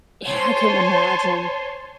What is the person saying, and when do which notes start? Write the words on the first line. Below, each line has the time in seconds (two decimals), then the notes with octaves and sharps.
Yeah, I couldn't imagine.
0.25 C5 C#5 G#5 A5 C6